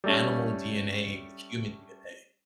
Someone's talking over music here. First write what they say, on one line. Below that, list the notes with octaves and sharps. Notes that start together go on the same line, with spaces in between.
animal DNA with human DNA, and
G3 A3 C#4